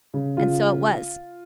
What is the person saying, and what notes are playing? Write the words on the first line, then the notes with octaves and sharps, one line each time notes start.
And so it was.'
C#3
C#3 F4